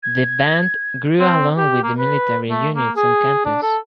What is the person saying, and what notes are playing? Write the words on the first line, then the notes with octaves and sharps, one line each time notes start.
The band grew along with the military units on campus.
G#6
C4
G4
A#3
B4
A3
A#3
G#4
D4
A4